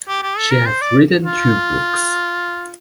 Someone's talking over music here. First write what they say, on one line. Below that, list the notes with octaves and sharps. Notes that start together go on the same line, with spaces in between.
She has written two books.
G4
G4
A4
A#4
C5
D5
F4